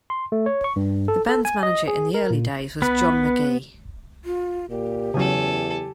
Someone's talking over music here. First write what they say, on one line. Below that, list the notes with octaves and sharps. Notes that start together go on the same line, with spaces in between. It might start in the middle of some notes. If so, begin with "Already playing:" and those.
The band's manager in the early days was John MacGee.
C6
A3
C#5
C#6
G2
A4
A4
G#5
D#5
G#4
A#4
A#2
B3 B4
F4
A#2 G4
E2 C#3 F#3 A4 G#5